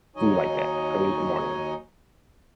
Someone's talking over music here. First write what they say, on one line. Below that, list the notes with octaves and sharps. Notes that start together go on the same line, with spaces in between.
food, like that early in the morning.
D#2 F#3 D#4 C#5 D#5 G#5